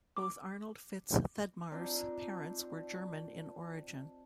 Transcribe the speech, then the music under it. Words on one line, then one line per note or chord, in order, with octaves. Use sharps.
Both Arnold Fitz Thedmar's parents were German in origin.
D6
C4 D4 D#4 F4